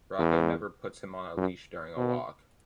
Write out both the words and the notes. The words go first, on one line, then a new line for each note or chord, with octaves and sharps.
Rocko never puts him on a leash during a walk.
E2
F#2
B2